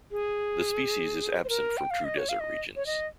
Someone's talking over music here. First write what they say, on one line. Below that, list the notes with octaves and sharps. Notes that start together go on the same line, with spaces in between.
This species is absent from true desert regions.
G#4
C5
A#4
G5
F5
D#5
C#5
F5
D#5
C#5
D#5